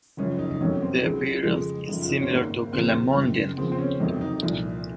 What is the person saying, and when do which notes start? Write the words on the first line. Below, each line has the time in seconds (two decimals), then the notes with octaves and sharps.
The appearance is similar to Calamondin.
0.17 F#1 F#2 F3 C#4
0.39 D#4
0.51 D#4
0.61 F2 C3 D#3 F#3 C#4
0.82 C4
1.03 C#2 C#3 F#3 G#3
1.45 F2 C#3 F3 G#3
1.88 F#1 F#2 F3
2.02 F4
2.09 D#4
2.16 C#4
2.22 C4
2.30 G#1 G#2 D#3 A#3
2.72 D#2 C#3 F3 C4
2.82 A#3
2.91 C4
3.14 F#1 F#2 F3
3.57 D#2 C#3 F3 C4
3.72 C4
3.79 C#4
3.95 C#4
4.00 F2 C3 D#3 F#3 D#4
4.21 D#4
4.42 C2 A#2 F3